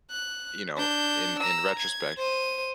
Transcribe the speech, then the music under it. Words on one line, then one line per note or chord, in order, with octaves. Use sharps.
you know, in in retrospect,
F#6
D4 G6
A#5 E6
G#6
C5 D#7